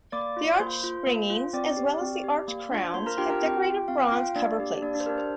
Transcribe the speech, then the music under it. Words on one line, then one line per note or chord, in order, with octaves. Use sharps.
The arch springings, as well as the arch crowns, have decorative bronze cover plates.
A#3 D5 D6
F4
A#3 C5 C6
F4
A#3
F4
C4 D5 D6
G4
C4
G4
A#3
D4 F4
A#3 C5 C6
A#4 A#5
D4 F4 G4 G5
A#4 A#5
C4 G4 G5
F4
C4 F5
G5
F4 F5
A#3 D4 D5
D4 G4
A#3 D4 D5
D4 D5
C5
D4 G4 A#4
C5